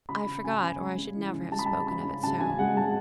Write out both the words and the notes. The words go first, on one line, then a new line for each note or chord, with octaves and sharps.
I forgot, or I should never have spoken of it so.
C#3 B5
C#3
C#3 G#5
C#3
G#3
C#3
E3
C#3
G#3 A5
B5
A5
G#3
C#3 B5
C#3
C#3 A5
C#3 G#5
G#3 F#5
G#3 A5